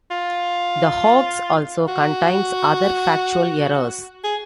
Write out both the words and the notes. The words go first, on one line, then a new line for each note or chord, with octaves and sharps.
The hoax also contains other factual errors.
F4
F#4
G#4